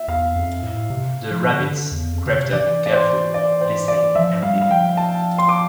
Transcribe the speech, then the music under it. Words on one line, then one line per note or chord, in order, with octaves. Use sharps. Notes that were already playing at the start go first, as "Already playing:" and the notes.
The rabbits crept up carefully, listening and peeping.
Already playing: E5
E2 F5
F2
A2
C3
F3
D3
D3
E2
F2
D3
C3
E3 D5
D5
C5
D5
C5
D5
F3 E5
G3 F5
F5
F3 G5
A5
C6
D6